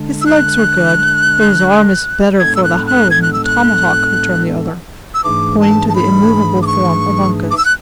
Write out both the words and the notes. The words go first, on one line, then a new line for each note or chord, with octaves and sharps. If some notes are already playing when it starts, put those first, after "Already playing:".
"His legs were good, though his arm is better for the hoe than the tomahawk," returned the other, pointing to the immovable form of Uncas.
Already playing: D3 G#3 D4
E6
F#6
A2 G#3 B3 D4 A4 G#6
E6
F#6
F#6
G#6
F#6
E6
F#6
E6
G#2 E3 A3 D4 G#4 D6
A5
A5
B5
D6
C#6
D6
E6
F#6